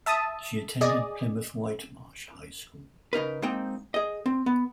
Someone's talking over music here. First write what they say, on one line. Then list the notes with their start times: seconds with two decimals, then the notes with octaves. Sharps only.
She attended Plymouth-Whitemarsh High School.
0.06 E5 A5 D#6
0.81 G#4 D5 D#5
3.13 C#3 D#4 A#4 B4
3.42 G#3 A#3 C4 D#4 G5
3.94 G#4 D#5
4.26 C4
4.46 B3